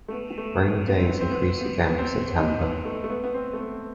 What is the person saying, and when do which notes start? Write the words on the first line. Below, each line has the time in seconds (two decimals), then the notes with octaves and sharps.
Rainy days increase again with September.
0.08 A3
0.12 B3
0.38 A3
0.62 B3
0.87 B3
0.98 C4
1.09 B3
1.21 C4
1.31 B3
1.61 B3
1.87 B3
1.98 C4
2.35 D#4
2.60 B3
2.85 A3
3.04 A3
3.10 B3
3.24 B3
3.34 C4
3.53 A3
3.59 B3